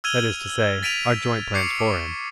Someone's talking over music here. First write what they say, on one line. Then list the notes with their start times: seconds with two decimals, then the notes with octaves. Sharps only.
'That is to say, our joint plans for him.
0.04 E6 F6 G#6 D#7 F7 G7
0.83 A6 B6 D7 D#7 F7
1.54 C#6 D6 C7 C#7
1.79 D6